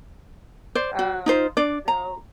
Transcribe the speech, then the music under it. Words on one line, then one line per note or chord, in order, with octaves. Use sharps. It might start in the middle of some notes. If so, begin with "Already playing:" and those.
Um, so
C5 D5
F#4
D#4 F4 C5
D4 D5
A#5